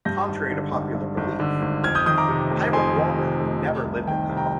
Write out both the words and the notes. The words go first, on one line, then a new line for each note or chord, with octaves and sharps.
Contrary to popular belief, Hiram Walker never lived in the home.
G2 G6 A#6
G#1
D3
G#1
G2
G#1
D3
G#1
F2 F6 G#6
D#6 G6
D#3 D#6 G6
A#5 D6
C3
F1
F2 G#5 C6
D#3
C3
F1
C3
C2
D#3 G5
C2
G5 A#5